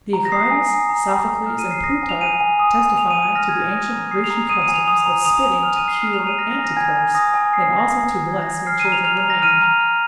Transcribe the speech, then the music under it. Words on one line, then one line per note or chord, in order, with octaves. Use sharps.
Theocritus, Sophocles, and Plutarch testify to the ancient Grecian customs of spitting to cure and to curse, and also to bless when children were named.
A#5
A#6
D#6 C7
G#5
D#6
A#5
G#5
G#5
F6
D#7
G#5
C7
D#6 A#6
G#5
F7
G#5 D#7
G#5
D#6
G#5
G#5 F7
D#7
G#5
D#7
F6 A#6
G#6
G#5
A#6
D#6 A#6
A#5
D#6 C7
F7
A#5
D#6 D#7
D#7
G#5
F7
D#6 F7
A#5
D#6 F7
G#5
F6 F7
D#7
G#5
C7
F6 C7
F7
A#5
D#7
F6 A#6
A#6
G#5
A#6
G#5 G#6
G#5
D#6 A#6
G#5
D#6 C7
A#5
A#6
D#6 A#6
G#5
G#5 G#6
A#6
G#5
G#6
F6 C7
D#7
A#5
F7
F6 F7
F7
A#5
A#6
F6 D#7
A#5 F7
F6